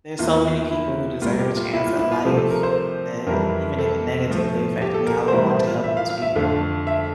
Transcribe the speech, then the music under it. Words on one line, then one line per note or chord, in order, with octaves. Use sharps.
there's so many people who deserve a chance at life that even if it negatively affected me, I would want to help those people.
E2 E3 A#3 F4
E4
A2 G3 A#3 F4
G4
F4
E4
F4
E4
F4
C3 F3 A3 G4
A4
A#4
C5
F2 E3 G3 A#4
A4
A2 F3 A3
G4
A4
A#4
A4
C5
A2 E3 G3 A#4
C5
F4
E5
F5
F5
E5
F2 D3 A3 F5
E5